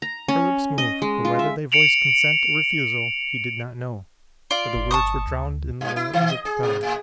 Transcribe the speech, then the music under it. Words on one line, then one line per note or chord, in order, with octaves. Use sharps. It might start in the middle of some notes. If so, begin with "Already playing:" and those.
Her lips moved but whether they voiced consent or refusal he did not know, for the words were drowned in the whir of the propeller.
A#5
C#4
D#5
G#3
F4
E5
C#7 D7 F7 F#7
F4 D5
G1
A5 C#6 D#6
D2
G2
E4
D#3
D#5
G#4
B2
A2